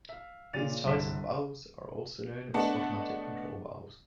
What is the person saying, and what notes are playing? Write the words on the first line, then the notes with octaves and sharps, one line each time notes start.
These types of valves are also known as Automatic Control Valves.
E5 F5
A#2 C#3 D5 A6 D#7 F7
G1 C2 D3 A5 B6 E7
A3 B3 D4 D#5 F#5 A5